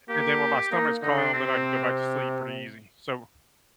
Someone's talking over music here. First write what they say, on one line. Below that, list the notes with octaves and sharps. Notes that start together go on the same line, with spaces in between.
And then when my stomach's calm, then I can go back to sleep pretty easy, so
A#3 G4
A#3 D#4
D3 D#4
D4
C3 C4